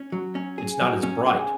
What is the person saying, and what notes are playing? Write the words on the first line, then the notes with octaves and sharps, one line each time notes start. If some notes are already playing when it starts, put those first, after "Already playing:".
it's not as bright
Already playing: C#4
F#3
C#4
G#4
F#3
C#4
G#4